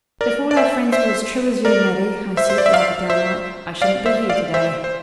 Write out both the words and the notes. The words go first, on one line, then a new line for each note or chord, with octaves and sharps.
'If all our friends were as true as you, Maddie,' I said, rather down-like, 'I shouldn't be here to-day.'
A#4 D5
D5
C5 E5
C5 E5
A#4 D5
C5 E5
C5
D5
E5
D5 F5
C5 E5
D5 F5
C5 E5
D5 F5
C5 E5
C5